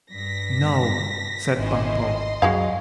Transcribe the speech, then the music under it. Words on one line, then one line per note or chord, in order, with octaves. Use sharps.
"No," said Bumpo.
G2 A#6 B6
G#1 D#3 C#4 E4 D#5 C6
C2 F#2 F#4 G#4 F5